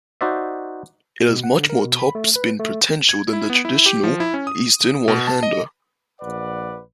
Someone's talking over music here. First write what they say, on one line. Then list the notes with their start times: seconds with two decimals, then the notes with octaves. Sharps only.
It has much more topspin potential than the traditional Eastern one-hander.
0.21 D#4 F#4 C5 D5 E5
1.28 B2
1.44 F#5
1.57 D3
1.70 A#4
1.85 B2
1.99 B5
2.15 A3
2.36 B4
2.60 A3
3.09 G#6
3.33 E4
3.50 B3
3.65 E4
3.86 G4
4.03 F3
4.20 E4
4.34 C#4
4.47 D#6
5.08 B2
5.28 A5
5.43 D#5
6.20 A#1 B4 D5 F#5